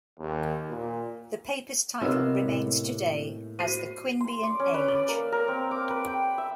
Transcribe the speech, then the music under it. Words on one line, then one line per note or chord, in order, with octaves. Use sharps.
The paper's title remains today as the "Queanbeyan Age".
D#2
A#2
C3 A#3 B3 D#4 F4 C#5 D#5 E6
A2
F#4 C5 C7 D#7
C6
D5
C#4
B4
D5
A#3
A#4
C4
D6
B4
G5
E5